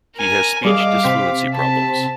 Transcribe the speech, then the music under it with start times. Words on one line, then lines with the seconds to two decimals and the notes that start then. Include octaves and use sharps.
He has speech disfluency problems.
0.16 A#4 G#5
0.65 G3 G#4 D#5 F5 D6
1.03 C3 C4 B6
1.55 A5